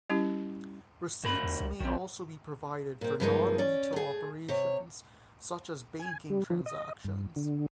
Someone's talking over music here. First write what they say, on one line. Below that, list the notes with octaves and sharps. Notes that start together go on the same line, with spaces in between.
Receipts may also be provided for non-retail operations such as banking transactions.
G3 C#4 E4 G4
D2 G2 A#4 B5
E2
C#2
A#1 D#3 C4
A#2 C4
G2 C3 F3 G#3 A#3 D#4
C#4 D5
A3 G#4
C3 C#5
G#5
G3
F3
D#5
G2
D3